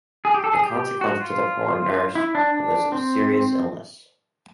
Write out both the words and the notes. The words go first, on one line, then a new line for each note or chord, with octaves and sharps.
The consequence to the poor nurse was a serious illness.
G#4
G4
A4
G#4
G4
F#4
F4
E4
D4
D4
C4